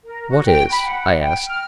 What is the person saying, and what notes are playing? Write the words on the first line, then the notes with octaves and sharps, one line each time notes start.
"What is?" I asked.
A#4
F#4
G5
B5
F#5
G5
F6